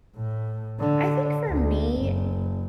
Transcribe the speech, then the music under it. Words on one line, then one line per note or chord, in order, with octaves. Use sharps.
I think for me,
A2
D3
D2
F#1